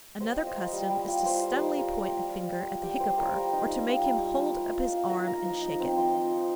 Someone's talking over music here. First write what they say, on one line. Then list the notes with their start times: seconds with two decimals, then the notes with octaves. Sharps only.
Another custom is to steadily point a finger at the hiccougher, or to make him hold up his arm and shake it.
0.20 G3 C5
0.38 F4
0.46 D#5
0.56 A#3
0.73 G3
0.90 G3
1.08 F4
1.25 G3 C5
1.43 F4
1.51 G4
1.60 A#3
1.78 G3 A#4
1.95 G3
2.13 F4
2.30 G3
2.48 F4
2.65 A#3
2.83 G3 G4
3.00 G3 C5
3.18 F4 A#4
3.35 G3
3.53 D#4
3.70 A#3
3.88 G3 F4
4.05 G3
4.22 D#4
4.40 A#3 F4
4.57 A#3
4.75 F4
4.92 F4 F5
5.10 A#3 A#5
5.27 A#3 A#5
5.45 F3
5.62 D#4
5.80 C4
5.97 F3 C6
6.14 F3
6.32 D#4